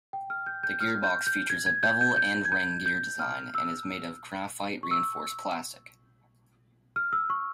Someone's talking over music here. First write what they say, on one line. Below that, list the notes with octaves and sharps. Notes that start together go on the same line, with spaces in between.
The gearbox features a bevel-and-ring gear design, and is made of graphite-reinforced plastic.
G5
F6
G6
G6
F6
G6
G6
G#6
G#6
G6
G6
G6
G#6
G6
G6
F6
E6
C#6
E6
F6
E6
C#6